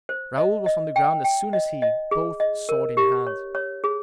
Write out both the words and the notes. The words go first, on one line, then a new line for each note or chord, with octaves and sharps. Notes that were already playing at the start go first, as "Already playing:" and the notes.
Raoul was on the ground as soon as he, both sword in hand.
C5
D#5
D#5
G5
G5
D#5
D#5
G#4
D#5
A#4
G4
C#5
C#5
G#4